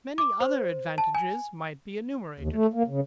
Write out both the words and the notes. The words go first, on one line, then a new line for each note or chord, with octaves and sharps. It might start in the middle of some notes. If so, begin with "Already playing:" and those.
Many other advantages might be enumerated.
D6
C5
A5
G#5
D#2
A3
A#3
C#3